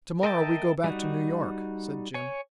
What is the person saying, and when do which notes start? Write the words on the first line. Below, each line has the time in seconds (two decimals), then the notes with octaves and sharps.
"To-morrow we go back to New York," said Jim.
0.23 A#4 D#5 E5 G5 A5
0.84 G3 D#4 F#4
2.14 C#5 G#5